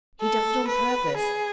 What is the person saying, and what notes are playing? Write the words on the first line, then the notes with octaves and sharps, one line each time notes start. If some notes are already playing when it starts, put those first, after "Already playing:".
He does it on purpose.
A4
B4
G#4